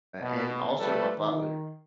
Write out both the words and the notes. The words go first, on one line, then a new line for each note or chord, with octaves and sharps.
and also my father,
B2
F3 G3 A3 A4 B4
D#3